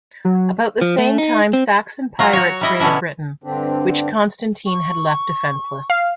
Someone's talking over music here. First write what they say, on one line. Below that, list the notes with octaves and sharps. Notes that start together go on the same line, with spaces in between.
About the same time Saxon pirates raided Britain, which Constantine had left defenseless.
F#3
F3
A3
D#4
C4
F#3 F4 A#5
F#4 C#5
G3 E4 D#5
B2 D3 C#4 D4 E4
G2 D3 C4 D4
C#6
F5